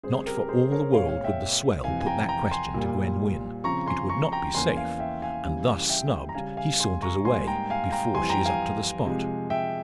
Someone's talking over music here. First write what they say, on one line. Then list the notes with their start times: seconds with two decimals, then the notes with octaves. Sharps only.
Not for all the world would the swell put that question to Gwen Wynn. It would not be safe; and thus snubbed he saunters away, before she is up to the spot.
0.03 C#3 G3 C4 G#4 C5
0.26 G4 A#4
0.48 G#4 C5
0.72 A#4 C#5
0.94 A#2 G#3 C4 C#5 F5
1.09 C#5 F5
1.24 E5 G5
1.84 F2 C3 E3 F5 G#5
2.00 G#5
2.07 G5 A#5
2.29 G5 A#5
2.51 G#5 C6
2.74 A#2 G3 A#3
3.64 C#3 F3 C4 A#5 C#6
3.86 G#5 C6
4.09 A#5 C#6
4.32 G5 A#5
4.55 E2 E3 A#3 C#4 G#5 C6
4.77 F5 G#5
4.99 E5 G5
5.22 F5 G#5
5.44 C#3 E3 G3
5.89 E5 G5
6.29 A#5
6.35 C#3 G3 C#4 F5 G#5
6.57 F5 G#5
6.80 G#5 C6
7.02 A#5 C#6
7.25 G#2 G3 A#3 G#5 C6
7.47 G5 A#5
7.70 F5 G#5
7.92 G5 A#5
8.15 F2 E3 G3 C4 G#5 C6
8.30 G5 A#5
8.45 F5 G#5
9.05 C3 F3 G#3
9.50 E5 G5